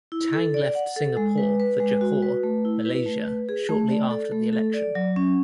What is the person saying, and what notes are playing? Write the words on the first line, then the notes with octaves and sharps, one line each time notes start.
Tang left Singapore for Johor, Malaysia, shortly after the election.
E4
A4
D5
F#5
A4
G#3
B4
B4
G#3
F#4
B4
A3
E4
B4
A3
B4
G#4
A3
D5
A4
A3
A4
D5
F#3
C#4